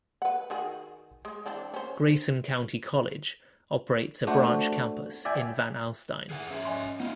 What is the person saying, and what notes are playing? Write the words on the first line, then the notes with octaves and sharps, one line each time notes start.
Grayson County College operates a branch campus in Van Alstyne.
B4 F#5
D#3 F#4 G#4
G#3
E3 C4 D4
C#4 C5
A3 D4 F#4 C5
D5 E5 G5 G#5
G#4 B4 F#5
C#4 E5
D#5 G#5 C6
B3 D#4 F4